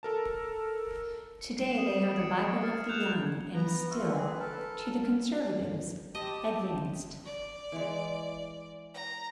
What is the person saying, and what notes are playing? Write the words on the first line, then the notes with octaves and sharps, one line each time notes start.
Today they are the Bible of the young and still, to the conservatives, "advanced."...
A4 A#4 A5
C#7
C7 D7 E7
D#6
D#6 G#6 C#7
F6 A6 C7 C#7
F#6 G6 E7 F7
B3 B4 A#5
F4 F#4 E5
C4 G#4
A4 A#4 A5
C4 G4 D#5 A5
D5
E3 G#3
A#5